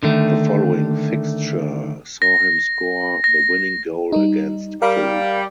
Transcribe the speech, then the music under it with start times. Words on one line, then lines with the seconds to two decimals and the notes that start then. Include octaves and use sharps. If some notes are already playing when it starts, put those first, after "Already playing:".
The following fixture saw him score the winning goal against Italy.
0.03 D3 D#3 A3
2.22 A#6
3.24 A#6
4.12 G3 D#4
4.82 G3 A#4 F5